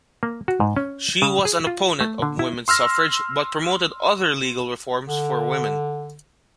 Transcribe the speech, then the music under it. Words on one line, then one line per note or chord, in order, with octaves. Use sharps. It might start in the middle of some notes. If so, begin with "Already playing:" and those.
She was an opponent of women's suffrage but promoted other legal reforms for women.
A#3
F#4
G#2
C#4
C#3
G#4
F4
A3
D3
E4
C6 E6 F6 A#6
D3